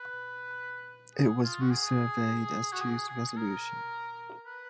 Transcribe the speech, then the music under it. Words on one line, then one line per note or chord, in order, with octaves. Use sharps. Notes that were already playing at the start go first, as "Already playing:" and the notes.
It was resurveyed as "Chew's Resolution".
Already playing: B4
G#4
F4
F#4
G#4
F#4
G#4
G#4
A#4
B4